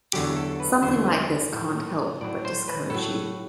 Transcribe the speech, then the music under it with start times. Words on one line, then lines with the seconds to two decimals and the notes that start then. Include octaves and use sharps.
Something like this can't help but discourage you.
0.13 E2 D3 F#3 G4
0.36 A4
0.60 B4
0.83 E2 D3 F#3 C5
1.05 B4
1.29 A4
1.52 A2 F#3 A4
2.21 A2 F#3 D5
2.45 C5
2.68 B4
2.90 A2 F#3 A4